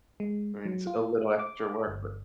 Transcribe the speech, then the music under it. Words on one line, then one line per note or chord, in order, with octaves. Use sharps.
I mean, it's a little extra work, but
G#3
F#3
F4
D6
G1